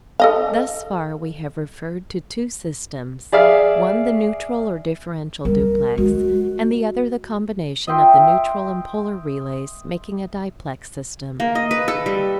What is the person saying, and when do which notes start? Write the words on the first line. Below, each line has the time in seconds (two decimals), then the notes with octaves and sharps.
Thus far we have referred to two systems, one the neutral or differential duplex, and the other the combination of the neutral and polar relays, making a diplex system.
0.20 A4 D#5 F5
3.32 G#4 D5 E5 F5
5.45 G3 A#4
5.98 G#3 F#4
7.87 D#5 E5 G5 C6
11.40 A#3
11.55 D#5
11.71 B4
11.88 A4
12.06 G3